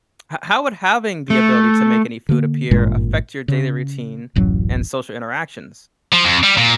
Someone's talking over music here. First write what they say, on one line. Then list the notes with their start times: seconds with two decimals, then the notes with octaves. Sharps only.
h how would having the ability to make any food appear affect your daily routine and social interactions?
1.30 A3
2.29 D3 A#3
2.71 G#1 G2 A#2 G#3
3.48 C#3
4.36 D1 A1 F#2 F#3
6.13 F3
6.24 F2
6.44 G3
6.58 A#2